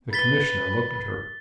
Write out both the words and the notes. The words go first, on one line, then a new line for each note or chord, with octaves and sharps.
The Commissioner looked at her.
B4 A6 B6 G7